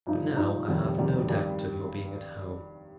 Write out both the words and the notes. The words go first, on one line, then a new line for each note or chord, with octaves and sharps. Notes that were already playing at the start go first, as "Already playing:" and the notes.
But now I have no doubt of your being at home.
G2 F3 D#4
G2 F3 D#4
F1 D#2 D#3 G3
F1 D#2 D#3 G3
G2 D#3 G3